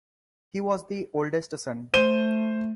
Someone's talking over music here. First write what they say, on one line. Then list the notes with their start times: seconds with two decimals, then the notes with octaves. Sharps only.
He was the oldest son.
1.94 A3 C5 D#7 G7